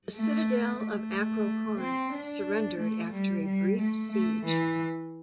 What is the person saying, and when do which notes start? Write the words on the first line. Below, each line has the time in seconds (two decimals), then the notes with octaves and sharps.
The citadel of Acrocorinth surrendered after a brief siege.
0.14 A3
0.80 A3
1.80 C4
2.12 D4
2.79 A3
3.12 G3
3.45 G3
3.78 A3
4.12 A3
4.44 E3